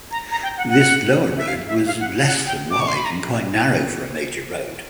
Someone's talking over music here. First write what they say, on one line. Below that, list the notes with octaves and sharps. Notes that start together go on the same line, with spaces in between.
This lower road was less than wide and quite narrow for a major road.
A#5
A#5
G5
F#5
F#5
E5
F5
E5
F5
F#5
F#5
G5
D6
C#6
C6
B5
A#5